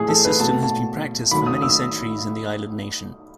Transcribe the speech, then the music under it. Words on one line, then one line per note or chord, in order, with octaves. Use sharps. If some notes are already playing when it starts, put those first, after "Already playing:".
This system has been practised for many centuries in the island nation.
Already playing: A2 E3 A3 G#4
A4
B4
B2 A3 A5
A5
D#3 F#3 A3 B5
D#6
E6